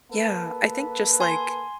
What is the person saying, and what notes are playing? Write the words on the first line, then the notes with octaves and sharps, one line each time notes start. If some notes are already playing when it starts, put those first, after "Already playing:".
Yeah, I think just like
A#3 A4 B4
G#5 C6